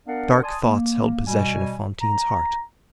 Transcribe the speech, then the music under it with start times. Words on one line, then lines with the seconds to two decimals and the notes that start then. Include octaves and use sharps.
Dark thoughts held possession of Fantine's heart.
0.07 B3 D4 A#4 D5 F5 F#5
0.42 D5 G#5 A5 C6 D#6
0.64 A#3
1.26 B2 G3 G#5
2.01 A#5